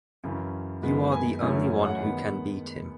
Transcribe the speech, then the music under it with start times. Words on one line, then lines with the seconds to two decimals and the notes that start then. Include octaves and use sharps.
You are the only one who can beat him.
0.24 F#2 C#3 E3
0.82 F#2 D#3 G#3 B3
1.12 G#5
1.41 F#2 E3 A3 C#4 E4
1.70 G#5
1.85 F#5
2.00 D#3 G#3 B3